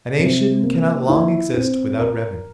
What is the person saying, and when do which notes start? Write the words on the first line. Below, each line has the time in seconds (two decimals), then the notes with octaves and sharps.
A nation cannot long exist without revenues.
0.19 C3
0.63 A#3
1.09 E4
1.54 C4
1.99 A#4